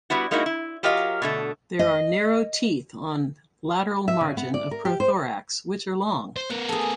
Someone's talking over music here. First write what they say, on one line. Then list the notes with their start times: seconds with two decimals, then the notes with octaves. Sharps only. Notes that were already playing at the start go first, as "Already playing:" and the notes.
There are narrow teeth on lateral margin of prothorax which are long.
0.10 G3 B3 E4 F#4
0.31 G#3 A#3 D#4 E4 F#4
0.46 E4
0.83 F#3 F4 G4 A#4 D#5 F5
1.22 B2 D3 A3
1.79 D#5
4.08 E5
4.21 C#3
4.37 B3
4.54 D5
4.71 A#4
4.85 G4
5.00 C5
6.37 C5
6.50 B3 A#4 F#5
6.69 G#4 A4